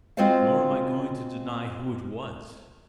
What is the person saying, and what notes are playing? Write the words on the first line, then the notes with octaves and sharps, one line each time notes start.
Nor am I going to deny who it was.
G#3 C4 F4 F#4 C5 F5